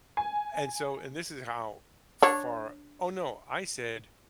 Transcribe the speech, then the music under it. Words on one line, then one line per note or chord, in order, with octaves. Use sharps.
And so and this is how far Oh, no. I said,
G#5
D4 C#5